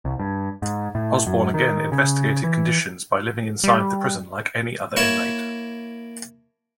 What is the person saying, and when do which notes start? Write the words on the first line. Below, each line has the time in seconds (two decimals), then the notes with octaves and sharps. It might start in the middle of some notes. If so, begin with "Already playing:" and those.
Osborne again investigated conditions by living inside the prison like any other inmate.
0.05 C2
0.19 G2
0.62 G#2
0.95 A2
1.27 F#2
1.54 D#3
1.92 C#3
2.44 E3
3.64 G3
4.96 A#3 E4 C#5 A5